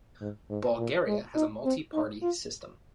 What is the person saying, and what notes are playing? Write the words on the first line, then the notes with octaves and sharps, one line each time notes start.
Bulgaria has a multi-party system.
G#2
G#2
A#2
G#3
D#4
C4
D#4
F4